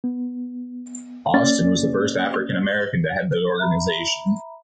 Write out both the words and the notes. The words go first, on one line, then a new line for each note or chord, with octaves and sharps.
Austin was the first African American to head the organization.
B3
A#3 C#4 D5 A6
E5 A#5 B5